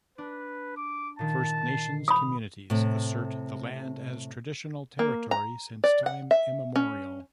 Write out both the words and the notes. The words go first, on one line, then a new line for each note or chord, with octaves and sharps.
First Nations communities assert the land as traditional territory since time immemorial.
D4 B4
D6
A#2 D#3 A5
C7
B5 D#6
A2 C3
A#3
A#5
D5
F#5
E5
C#4